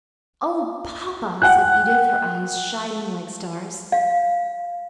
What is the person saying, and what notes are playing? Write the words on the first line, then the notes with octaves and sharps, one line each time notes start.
"Oh, Papa!" said Edith, her eyes shining like stars.
F#5 G5 F#6
F5